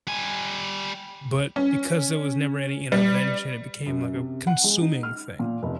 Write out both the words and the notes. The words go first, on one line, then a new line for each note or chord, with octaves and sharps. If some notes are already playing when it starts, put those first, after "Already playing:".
but because there was never any intervention, it became like a consuming thing.
G3 G#5
C#4
G3
F#2
C3
F#5
G#3
D#4
F6
A#2
F1